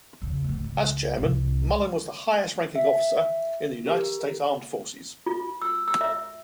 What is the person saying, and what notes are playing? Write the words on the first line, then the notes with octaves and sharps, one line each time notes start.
As Chairman, Mullen was the highest-ranking officer in the United States Armed Forces.
E2 C#3
D2 A2
C#2
C2 G#2
E5
G4 A#4
F4
E6
E6
E5